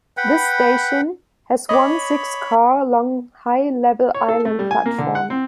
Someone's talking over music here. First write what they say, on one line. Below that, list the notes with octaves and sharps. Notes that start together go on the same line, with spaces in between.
This station has one six-car-long high-level island platform.
B4 F#5 G5 B5
C#5 D#5 B5 D6
C#5
A4
A3
G3
G#5
A#3
D3
F#5
C4